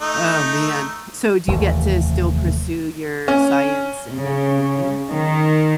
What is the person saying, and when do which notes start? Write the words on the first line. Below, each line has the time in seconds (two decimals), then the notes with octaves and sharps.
Oh, man. So, do you get to still pursue your science and engineering?
0.01 A3 D#4
1.48 F1 D#2 E3 A3
3.28 C#4
4.16 C#3
5.12 D#3